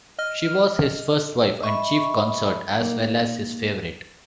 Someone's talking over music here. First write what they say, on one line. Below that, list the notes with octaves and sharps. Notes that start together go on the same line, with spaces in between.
She was his first wife and chief consort as well as his favourite.
D#5 F6
D#5 E5 B5 C#6
A#3 D#4